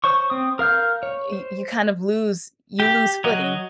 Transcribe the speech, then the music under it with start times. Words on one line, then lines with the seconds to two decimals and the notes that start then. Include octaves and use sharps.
y you kind of lose you lose footing.
0.04 C5 C#5 C#6
0.30 C4 D#6
0.59 A#4 F5 F6 G6
1.03 C#5
1.32 C5
2.80 G4
3.24 F#3 D#5